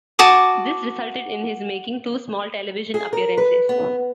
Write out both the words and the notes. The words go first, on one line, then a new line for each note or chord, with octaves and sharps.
This resulted in his making two small television appearances.
F#4 A5 D6 D#6
G#4
A#4
B4
B3